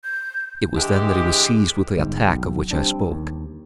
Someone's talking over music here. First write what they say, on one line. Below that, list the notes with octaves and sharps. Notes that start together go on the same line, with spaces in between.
It was then that he was seized with the attack of which I spoke.
G6
D3 E3 G#3 G4
G1 G#2
B1 G5
G3 C4 D4
D#2